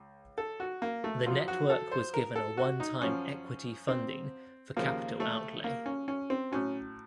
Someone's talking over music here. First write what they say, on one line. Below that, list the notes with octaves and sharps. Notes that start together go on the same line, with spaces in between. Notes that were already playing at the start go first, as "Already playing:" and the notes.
The Network was given a one-time equity funding for capital outlay.
Already playing: C#2
A4
F#4
A#3
A3
F#2 F3 F4
F#4
A4
C5
A#4
A4
F#4
D#4
F#2 F3 C#4
C4
D#2 C#3 F3 A#3
A3
A#3
C#4
C#4
C4
A2 F#3 C#4